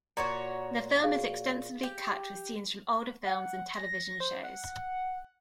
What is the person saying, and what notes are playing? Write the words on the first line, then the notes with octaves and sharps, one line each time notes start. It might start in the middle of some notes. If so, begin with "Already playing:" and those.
The film is extensively cut with scenes from older films and television shows.
A#2 F#4 C#5 A#5
G#4 F5
G4
F#5
A#6
C5
F#5